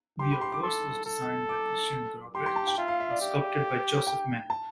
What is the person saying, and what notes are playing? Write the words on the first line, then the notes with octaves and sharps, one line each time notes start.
The obverse was designed by Christian Gobrecht and sculpted by Joseph Menna.
G4 C6
B5
C6
D6
A4 C6
A4
D6
G4 C6
C6
A5
G5
F4 E5
F5
E5
D5
G4
G5
A5